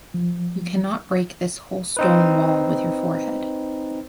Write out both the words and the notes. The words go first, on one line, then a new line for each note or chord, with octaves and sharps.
You cannot break this whole stone wall with your forehead.
F3
C4 D#4 B4